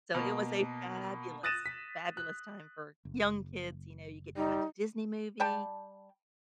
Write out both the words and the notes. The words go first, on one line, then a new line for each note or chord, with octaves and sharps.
So, it was a fabulous, fabulous time for young kids, you know, you get to watch a Disney movie
B2 A#3
D#6 F#6 A6 A#6 D#7 E7
B6
F#6
F#1
G3 D#4
G3 G5 A5